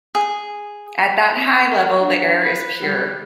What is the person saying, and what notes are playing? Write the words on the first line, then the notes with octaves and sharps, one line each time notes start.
At that high level the air is pure.
G#4
C4
A#4
D4 F#4
B4
G3